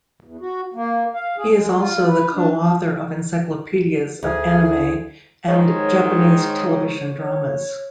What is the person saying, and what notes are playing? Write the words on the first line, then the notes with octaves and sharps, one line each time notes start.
He is also the co-author of encyclopedias of anime and Japanese television dramas.
E2
F#4
A#3
F5
G#4
G#3
F4
B4
D4
F3
D2 G#4
E4
G#2 D#3 C#5